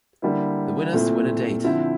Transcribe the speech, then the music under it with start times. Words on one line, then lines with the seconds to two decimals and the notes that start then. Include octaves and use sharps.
The winners win a date.
0.22 D3 G3 A#3 E4
0.93 A#2 A3 C4 E4
1.64 D3 F3 C4 E4